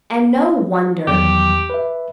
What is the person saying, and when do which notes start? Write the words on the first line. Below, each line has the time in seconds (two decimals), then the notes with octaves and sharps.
And no wonder!
1.07 E2 D#3 F#3 G4
1.70 B4 E5